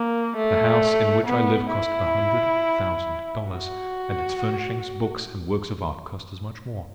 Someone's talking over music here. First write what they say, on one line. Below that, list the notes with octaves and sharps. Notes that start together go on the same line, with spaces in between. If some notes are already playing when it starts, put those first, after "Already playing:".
The house in which I live cost a hundred thousand dollars, and its furnishings, books, and works of art cost as much more.
Already playing: A#3
A3
B3
E4
F#4